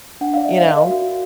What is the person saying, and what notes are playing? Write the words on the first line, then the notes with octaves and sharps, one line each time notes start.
you know?
D4 F#5
D5 F5
E5
D5 F5
A#4
F#4
F#4